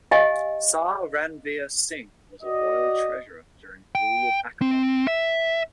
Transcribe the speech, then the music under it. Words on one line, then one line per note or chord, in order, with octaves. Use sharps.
Sah Ranveer Singh was a royal treasurer during the rule of Akbar.
G4 D#5 F5 G#5
F#4 D5 D#5
G5
C4
E5